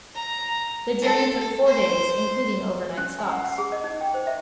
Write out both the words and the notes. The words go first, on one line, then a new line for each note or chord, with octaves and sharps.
The journey took four days, including overnight stops.
A#5
A4
C5
C#4
G#5
F#5
F#5
G#4
D#5
D#4
G5
C5
E5